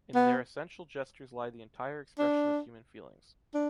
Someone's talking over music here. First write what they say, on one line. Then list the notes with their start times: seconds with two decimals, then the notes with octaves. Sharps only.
In their essential gestures lie the entire expression of human feelings.
0.15 B3
2.19 D4
3.54 D4